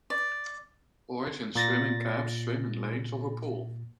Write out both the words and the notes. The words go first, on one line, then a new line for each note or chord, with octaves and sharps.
Boys in swimming caps swim in lanes of a pool.
D5
A#2 A6 A#6